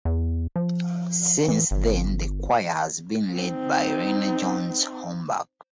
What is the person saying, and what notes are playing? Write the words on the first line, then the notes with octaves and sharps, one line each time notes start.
Since then the choir has been led by Rainer Johannes Homburg.
E2
F3
E3
G1
C4 D#4